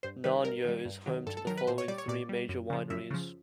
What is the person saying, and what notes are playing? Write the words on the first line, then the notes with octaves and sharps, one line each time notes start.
Nanyo is home to the following three major wineries.
G2 C5
D#3 G3 B4
G2 A#4
D#3 G3
G2
D#3 F#3
G2 A4
A4
D#3 F#3 A#4
B4
A#2 C5
C#5
G3 D5
C#5
A#2 D5
G3
F#2
C#3 F3
F#2 E5
C#3 F3